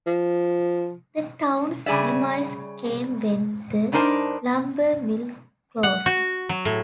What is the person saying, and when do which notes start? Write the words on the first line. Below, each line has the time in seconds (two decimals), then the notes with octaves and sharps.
The town's demise came when the lumber mill closed.
0.07 F3
1.86 C#3 G3 G#4 D5 E5
3.92 G2 D4 D#4 A#4 C5 A5
5.83 F#5
6.06 F#4
6.49 F#3
6.65 A2